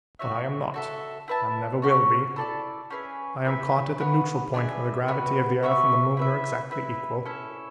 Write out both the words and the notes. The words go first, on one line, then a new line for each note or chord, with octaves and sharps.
But I am not, and never will be. I am caught at the neutral point where the gravity of the earth and the moon are exactly equal.
F#4 C#5 E5
F#4 A4 E5
E4 B4 E5 A5
C#4 F#4 C#5
E4 A4 D5 A5
C#4 G#4 B4 E5
E4 B4 E5
B3 F#4 B4 F#5
D4 G#4 B4 E5
B3 F#4 B4
C#4 F#4 B4 E5
E4 B4 E5
E4 B4 E5
C#4 E4 A4